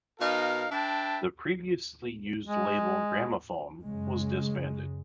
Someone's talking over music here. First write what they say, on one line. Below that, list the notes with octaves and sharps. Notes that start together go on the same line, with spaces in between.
The previously used label, Grammophon, was disbanded.
B2 D#4 A#4 F5
D4 B4 E5 G5 A5
G#3
F#2 C#3 G#3